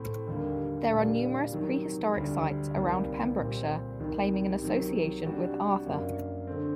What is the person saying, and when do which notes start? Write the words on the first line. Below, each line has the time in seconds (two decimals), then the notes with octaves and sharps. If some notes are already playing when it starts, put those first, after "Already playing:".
There are numerous prehistoric sites around Pembrokeshire, claiming an association with Arthur.
Already playing: A2 A3 C4
0.27 D#2 D3 G3 A#3
0.89 A#2 G3 A#3 D4 G4
1.52 C3 D#3 F#3
2.14 D2 D3 G3
2.76 C2 C3 D#3 G3 A#3
3.37 A#2 G3 C4
3.99 C2 C3 D#3
4.61 C3 D#3 F#3
5.23 C3 G3 D4 F#4
5.86 F#2 F#3 A#3 D4
6.47 D3 A3 C4